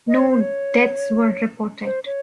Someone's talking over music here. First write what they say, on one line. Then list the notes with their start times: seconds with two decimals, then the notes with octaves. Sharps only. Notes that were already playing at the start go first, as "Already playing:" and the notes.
No deaths were reported.
0.08 D#5
0.19 C#5
0.29 C5
0.41 C#5
1.84 C5
2.06 C#5